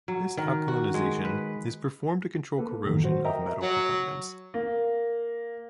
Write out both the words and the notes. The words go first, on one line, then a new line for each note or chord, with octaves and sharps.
This alkalinization is performed to control corrosion of metal components.
F#3
D#3
F#4
G#3
B4
A#3 A4 B4
F#2 A2 D#3 E3 F#3
F#4 C5
A#4 D#5 E5 G5 A#5
F#3
A#3